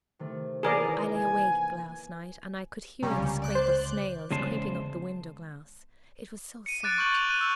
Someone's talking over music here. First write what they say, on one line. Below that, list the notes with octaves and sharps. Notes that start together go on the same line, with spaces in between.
I lay awake last night, and I could hear the scrape of snails creeping up the window-glass; it was so sad!
C3 D#3 A3
E3 A#3 G#4 A#4 D5
G#5
C3 G3 A#3 C#4
C#2
D5 F#6 G6
C5
E2 C#3 G#3 C5 A5
C#7 D#7
D6 F#6 A6 D7
C#6 F6 G6 F#7
F7
F#6 D#7 F7
E6